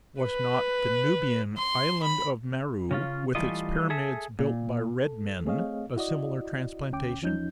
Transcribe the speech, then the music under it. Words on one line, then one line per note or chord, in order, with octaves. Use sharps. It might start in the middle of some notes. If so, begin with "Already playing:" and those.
Was not the Nubian "Island of Merou," with its pyramids built by "red men," a similar transplantation?
B4
C6
B5
C#3 C#4 F4
E3 G3 A3 F4 D#5
G#4 A4 E5
A#2
A4
A3 C4 G#4 C#5 D#5 F5
E4 F#4 D5 D#5
D2 C#4 G5 D6
E2 F3 C#4 D#4 G6